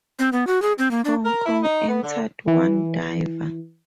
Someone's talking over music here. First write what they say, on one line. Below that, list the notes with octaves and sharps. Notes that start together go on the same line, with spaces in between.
Hong Kong entered one diver.
C4
B3
F#4
G#4
C4
A#3
D4
A#4
E4
D#4
B3
D3
E3